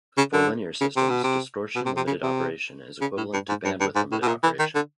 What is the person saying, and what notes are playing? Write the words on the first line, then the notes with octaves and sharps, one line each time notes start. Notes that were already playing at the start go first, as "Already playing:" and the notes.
For linear systems, distortion-limited operation is equivalent to bandwidth-limited operation.
C#3
D3
C#3
C3
B2
C3
B2
C3
C3
C#3
C3
C#3
A2
G2
G#2
G2
G2
G#2
A2
B2
A#2
E3
D#3
D3